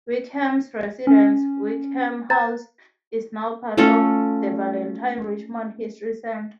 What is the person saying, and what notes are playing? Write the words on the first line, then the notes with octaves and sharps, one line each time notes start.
Wickham's residence, Wickham House, is now part of the Valentine Richmond History Center.
C#4
C5 A#5 A6
A3 C#4 F4 A4